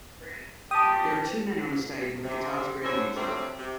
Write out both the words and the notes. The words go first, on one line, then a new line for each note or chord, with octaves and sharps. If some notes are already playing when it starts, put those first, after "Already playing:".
There are two men on a stage with guitars greeting each other.
G4 G5 A5 D#6
C3
F#2 D4 E4 C5 C#5 E5
G2 F#3 G3 A3 C4
C3